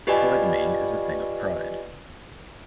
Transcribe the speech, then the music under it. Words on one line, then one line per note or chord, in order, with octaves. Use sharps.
Polygamy is a thing of pride.
F4 G4 B4 D5 D#5 G#5